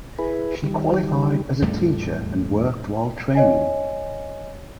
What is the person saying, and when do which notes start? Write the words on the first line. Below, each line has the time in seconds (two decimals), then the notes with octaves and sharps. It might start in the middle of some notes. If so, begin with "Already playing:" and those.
She qualified as a teacher and worked while training.
0.19 E4 G#4 B4
0.64 D#3 G3
1.62 E2 A2 G3 A3
3.35 C#5 D#5 G#5